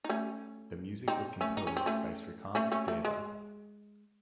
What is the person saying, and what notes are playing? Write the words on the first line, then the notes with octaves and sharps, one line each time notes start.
The music was composed by Srikanth Deva.
D#4
A3 C#4
C4 D#4
A3 C#4
D#4
C#4
C4
A3 C#4
A3 C#4
A3 C#4
A3
G#3